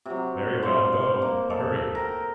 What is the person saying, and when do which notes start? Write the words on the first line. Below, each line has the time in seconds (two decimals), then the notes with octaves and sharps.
"Very well, go; but hurry."
0.05 C3 F#3
0.63 C5 F5
1.22 A#3
1.50 A4
1.95 A#4 G5